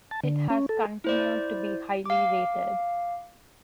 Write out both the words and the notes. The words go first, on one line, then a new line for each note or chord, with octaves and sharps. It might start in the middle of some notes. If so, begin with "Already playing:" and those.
It has continued to be highly rated.
A5
D3
C#4
A4
E4 C5 D5
F5 D6